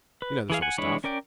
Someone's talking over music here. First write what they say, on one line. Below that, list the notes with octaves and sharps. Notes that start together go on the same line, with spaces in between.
You know the sort of stuff.
B4
E3 G#4 F5
F#5 G#5
E3 G#3 D4 C#5 B5
C#4 A#4 D5 G5